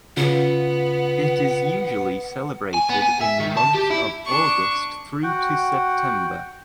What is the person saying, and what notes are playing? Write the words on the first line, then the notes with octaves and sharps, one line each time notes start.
It is usually celebrated in the month of August through to September.
C#3 B3 F4 F#5
G#5
B3
G#5
E5
D#3
A5
G4
E4
D4 C#6
F#4 F#5 G5